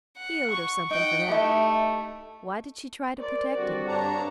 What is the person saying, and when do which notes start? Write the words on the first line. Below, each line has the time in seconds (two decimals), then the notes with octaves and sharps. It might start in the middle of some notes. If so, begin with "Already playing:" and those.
He owed her something for that--why did she try to protect him?
0.17 F#5
0.50 C#6
0.91 D#4 F#5 G5
1.28 A3 D#4 E4 G4
3.20 A#4 C5 D5
3.57 D3 G3 C4 F#4
3.88 G2 D4 C#5 A5 A#5